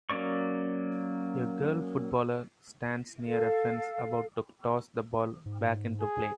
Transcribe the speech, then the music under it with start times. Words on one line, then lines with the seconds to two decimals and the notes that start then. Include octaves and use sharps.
A girl footballer stands near a fence about to toss the ball back into play.
0.10 F#3 A#3 C#4 D5 C#6
3.26 A4 F5
5.46 G#2
6.00 G#4